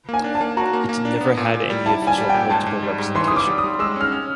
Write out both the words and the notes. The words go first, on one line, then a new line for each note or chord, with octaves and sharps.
It never had any official political representation.
A#3 G#5
D4
A5
A#3
F#4 A#5
A#3
A#3
D4
B3
A#2
A#2
G3
E4 A5
G3 G#5
G3
G5
A#2
G#2 A5
G#2
G3
G#2
E3 C6
G3 D#6
D6
G3
D#6
G3
G#3 E6
C#4 F6
C#4